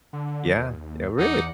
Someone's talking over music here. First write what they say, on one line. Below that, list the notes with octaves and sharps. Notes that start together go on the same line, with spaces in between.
Yeah, yeah, really,
D3
D#2
E2 D#4 F#5 D6